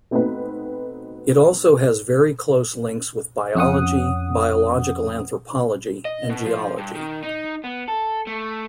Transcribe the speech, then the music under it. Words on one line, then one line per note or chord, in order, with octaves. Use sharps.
It also has very close links with biology, biological anthropology, and geology.
A3 B3 C4 D#4 F#4 B4
F2 C#4 F#5 D#6
D#5
B2
F3
G2
D#3
D#4
B3
A4
A3